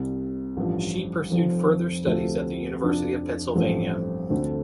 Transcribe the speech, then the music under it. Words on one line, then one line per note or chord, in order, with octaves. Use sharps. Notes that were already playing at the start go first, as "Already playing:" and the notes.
She pursued further studies at the University of Pennsylvania.
Already playing: C2 C3 G3
A1 G2 F3
F1 F2 F3 C4
D2 C3 F3 A3 C4
F1 F2 F3 D4
A1 G2 F3 A3 C4
D2 D3 A3 C4